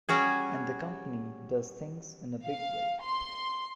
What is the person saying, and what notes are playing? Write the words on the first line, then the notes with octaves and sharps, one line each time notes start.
And the company does things in a big way.
G3 C#4 F#4 G#4
F5
C6